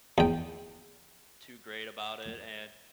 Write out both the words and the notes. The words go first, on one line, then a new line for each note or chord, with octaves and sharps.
too great about it, and
E2 G5